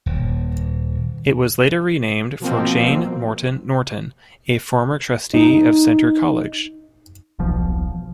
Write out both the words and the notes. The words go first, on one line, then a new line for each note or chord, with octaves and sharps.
It was later renamed for Jane Morton Norton, a former trustee of Centre College.
D#1
B2 F3 A#3 C4
D#4
D#1 B1 F3